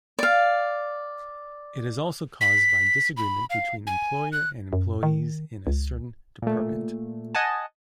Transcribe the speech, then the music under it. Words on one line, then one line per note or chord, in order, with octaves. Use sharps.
It is also caused by disagreement between employer and employees in a certain department.
D5 F5
B6
B5
F5
G#5
F#6
F#2
D#3
C#2
A#2 A3
D#5 F#5 G#5 A5